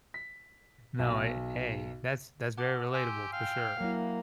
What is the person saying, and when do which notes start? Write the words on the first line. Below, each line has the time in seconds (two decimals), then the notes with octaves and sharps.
No, hey hey, that's that's very relatable for sure.
0.14 B6
0.99 B1
2.58 F#5 A5 D6
2.94 G4 G#5 C6 E6
3.33 F5 G5
3.81 F#3 A#3 E4 F#5